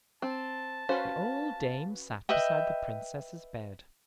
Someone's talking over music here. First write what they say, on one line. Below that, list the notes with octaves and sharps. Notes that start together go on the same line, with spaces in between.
The old dame sat beside the Princess's bed.
C4 A5
C#4 F#4 B4 C5 F5
B4 D#5 E5 G5